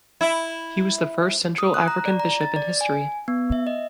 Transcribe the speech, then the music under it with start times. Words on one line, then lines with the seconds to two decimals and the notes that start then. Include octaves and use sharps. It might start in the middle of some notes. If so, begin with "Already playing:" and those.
He was the first central African bishop in history.
0.21 E4
1.58 D#6
1.74 F#6
1.88 A#5
2.06 D5
2.20 A#5
2.41 A6
2.56 D5
2.81 G#5
3.28 B3
3.52 E5
3.67 D#5